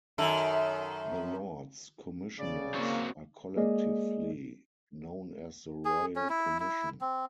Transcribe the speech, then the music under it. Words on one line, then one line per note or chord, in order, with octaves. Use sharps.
The Lords Commissioners are collectively known as the Royal Commission.
F#2 D#3 A4
C#3 D5
A#3 C4 F#4 C#5
G#3 A#3 G#4 D5 D#5
G#4
C#4
E4
E4
C4